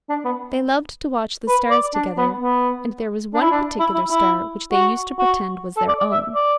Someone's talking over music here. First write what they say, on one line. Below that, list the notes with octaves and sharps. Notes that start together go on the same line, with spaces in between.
They loved to watch the stars together, and there was one particular star which they used to pretend was their own.
D4
B3
B4
D5
D4
B3
B3
D4
E4
D4
E4
E4
E4
F#4
F#4
A4
D5
D5
E5
D5